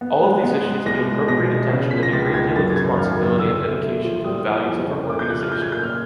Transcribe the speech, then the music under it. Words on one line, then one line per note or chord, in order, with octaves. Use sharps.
All of these issues need appropriate attention and a great deal of responsibility and dedication to the values of our Organization.
B3
G#3
B3
G#3
C2 A#6
G#3
B2 A#6
C2
C#3
F3 B6
A#6
C#2 A6
C#2 G#6
F#2 A6
C#3 G#6
G#1 F6
F#2
D3 E6
A3
A3
F3
G3 D#6
E3
F2
C#3
A3 D6
G6
F3 F#6
F6
F3 G6
G#6
A#2 G6
F6